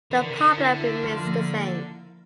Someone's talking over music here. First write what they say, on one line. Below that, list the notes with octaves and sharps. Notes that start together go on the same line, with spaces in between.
The problem remains the same.
E3 A#4
D3
C3
D3 A#4
E4
E4
F3
A#3